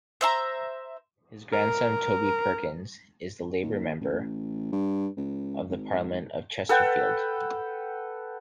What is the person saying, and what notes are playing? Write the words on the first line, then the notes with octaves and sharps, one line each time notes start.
His grandson Toby Perkins is the Labour Member of Parliament for Chesterfield.
C5 E5 A#5
A#4
D#2
A1
G2
C#2
G#1
A4 B4 F#5 G5